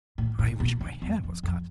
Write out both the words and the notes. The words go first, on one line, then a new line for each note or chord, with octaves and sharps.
I wish my hair was cut!
A2
A2
B2
D3
E2
F2
F2